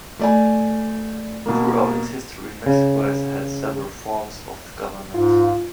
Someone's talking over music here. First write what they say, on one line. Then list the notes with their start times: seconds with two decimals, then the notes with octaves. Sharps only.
Throughout its history, Mexico has had several forms of government.
0.19 A3 D5 G#5
1.46 B2 A#3
2.66 C#3
5.14 G#2 F4